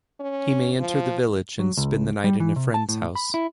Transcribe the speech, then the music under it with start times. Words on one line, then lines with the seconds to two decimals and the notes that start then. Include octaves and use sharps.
He may enter the village and spend the night in a friend's house.
0.20 C#4
0.79 F3
1.59 F#3
1.77 C#2
2.24 G3
2.40 E3
2.56 C3
2.74 A5
2.89 A2
3.15 B5
3.34 E4